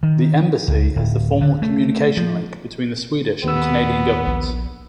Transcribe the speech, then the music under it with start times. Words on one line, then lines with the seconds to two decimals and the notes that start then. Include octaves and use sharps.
The embassy is the formal communication link between the Swedish and Canadian governments.
0.03 D#3
0.68 C#2
0.96 D1
1.41 D3
1.62 A3
2.17 F3
3.44 D#2 B3 E6
4.27 A#1